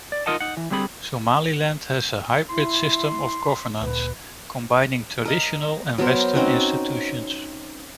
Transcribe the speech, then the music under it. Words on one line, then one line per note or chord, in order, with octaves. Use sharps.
Somaliland has a hybrid system of governance combining traditional and western institutions.
D5
D#4 F4 A#4 D#5 F#5 A5
D#4 F#5
E3
D3 G3 C4 G#4 B5
E4 C6
D2 A#2 B4
A#4 D#5
F#3 B3 A#4 C5
C4 C#4 D#4 F#4